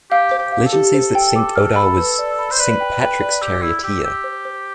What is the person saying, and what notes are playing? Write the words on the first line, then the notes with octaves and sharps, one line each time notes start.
Legend says that Saint Odhar was Saint Patrick's charioteer.
G4 F5
C5
G4
F5
A4
G4
C5
G5
D6
F6
B5
B4
D5
B5
C5
B4 D5
G5
G5
D5
G4 E6
E4 E6
G4 E6
G4 E6
C5
C5